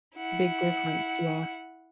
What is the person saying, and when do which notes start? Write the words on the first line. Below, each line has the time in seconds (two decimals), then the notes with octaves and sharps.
Big difference, yeah.
0.18 E4 F#5